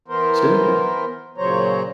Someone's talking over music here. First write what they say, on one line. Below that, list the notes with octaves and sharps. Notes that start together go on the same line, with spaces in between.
Sure, yeah,
E3 B3 A#4 C5
A#2 C#3 F#3 C5 C#5 A#5